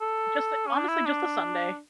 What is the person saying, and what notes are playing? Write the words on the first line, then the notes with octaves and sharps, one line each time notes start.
just a honestly just a Sunday.
A4
C#4
D4
E4
D4